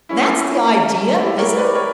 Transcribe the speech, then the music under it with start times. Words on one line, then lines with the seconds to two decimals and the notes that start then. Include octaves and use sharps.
That's the idea, is it?
0.09 C#4 E4
1.20 E4 G4
1.38 A#4 C#5
1.56 B4 D5
1.75 A#4 C#5